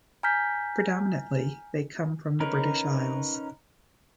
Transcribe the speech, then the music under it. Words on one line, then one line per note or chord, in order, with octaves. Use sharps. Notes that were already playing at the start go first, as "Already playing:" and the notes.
Predominantly they come from the British Isles.
G#5 A#5 F6 G6 B6
C#4 D#4 A#4 B4